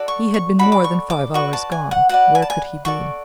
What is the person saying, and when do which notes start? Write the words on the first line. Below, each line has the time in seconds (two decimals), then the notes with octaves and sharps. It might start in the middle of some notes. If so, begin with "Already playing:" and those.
He had been more than five hours gone: where could he be?
Already playing: F#4 A4 D5
0.08 C#6
0.34 C#6
0.59 F#4 A4 D5 B5
0.72 D6
0.84 C#6
1.10 D6
1.34 F#4 B4 D5 C#6
1.53 A5
1.72 G#5
1.91 F#5
2.09 F#4 B4 D5 F#5
2.35 G#5
2.42 A5
2.50 G#5
2.85 F#4 A4 D5 C#6